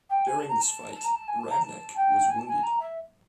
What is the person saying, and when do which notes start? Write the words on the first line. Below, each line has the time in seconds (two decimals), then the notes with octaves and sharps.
During this fight Raveneck was wounded.
0.10 G5
0.27 G#5
0.38 A5
0.49 A#5
0.61 A5
0.94 A5
1.04 A#5
1.14 A5
1.28 G#5
1.39 A5
1.51 A#5
1.62 A5
1.96 G5
2.29 G#5
2.39 A5
2.48 G#5
2.63 A#5
2.80 E5